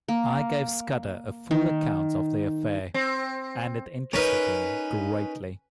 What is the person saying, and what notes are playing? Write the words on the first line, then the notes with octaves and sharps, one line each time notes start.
I gave Scudder a full account of the affair, and it interested him greatly.
A#3
D#3
C4
C#4 D#4 A#4 B4